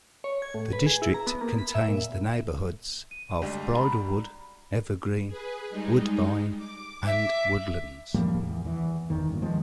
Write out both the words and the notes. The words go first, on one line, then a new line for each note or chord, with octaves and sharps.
The district contains the neighbourhoods of Bridlewood, Evergreen, Woodbine, and Woodlands.
C#5
G#6
A2
B4
G#4
E4
A#5
B3
A#3
B5
E5
A#2
D#7
D2 G3 G#3
F#4 A#5 B5
G#4 B4
G3 G#3 D#4
D6
E5
A2 F3 G3 A#3
E2
E2 E3
G1 E2 D#3
G2 A#2
D#3 F3 G#3 B3